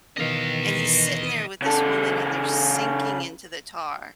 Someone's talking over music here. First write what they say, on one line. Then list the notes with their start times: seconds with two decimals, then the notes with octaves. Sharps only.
and he's sitting there with this woman, and they're sinking into the tar
0.17 B2 D#3 E3 D#5 F5
1.62 C#3 A4